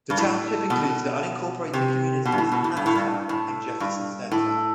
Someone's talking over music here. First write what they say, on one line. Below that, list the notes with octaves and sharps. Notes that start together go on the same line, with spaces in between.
The township includes the unincorporated communities of Hannahstown and Jefferson Center.
G2
A2
B2
C3
B2
G2
A2
B2
A2
G2
A2
G2
A2
G2
A2